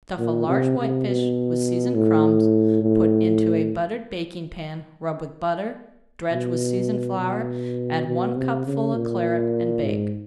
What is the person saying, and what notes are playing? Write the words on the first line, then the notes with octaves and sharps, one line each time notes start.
Stuff a large whitefish with seasoned crumbs, put into a buttered baking-pan, rub with butter, dredge with seasoned flour, add one cupful of Claret, and bake.
A#2
C3
C3
B2
A2
A2
B2
B2
B2
C3
C#3
A#2
G#2